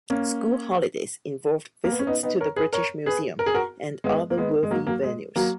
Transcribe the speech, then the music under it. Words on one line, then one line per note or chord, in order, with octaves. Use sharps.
School holidays involved visits to the British Museum and other worthy venues.
A#3 C#4
A#3
B3
C#4
B3 D#4
B3 D#4
A#4 C#5
G#4 B4
A#4 C#5
G#4 B4
A#4
G#4
F#4 A#4
G#3 B3
A#3
G#3 B3
G#3
F#3 A#3
F#3 A#3
G#3
F#3 A#3